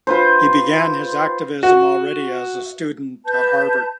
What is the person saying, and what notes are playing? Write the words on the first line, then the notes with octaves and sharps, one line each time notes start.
He began his activism already as student at Harvard.
F4 B4 C5
F#4
B4 A5 G6